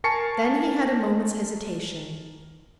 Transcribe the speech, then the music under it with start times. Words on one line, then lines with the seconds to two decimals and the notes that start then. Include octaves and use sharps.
Then he had a moment's hesitation.
0.04 A#4 G#5 A5 C#6 C7 C#7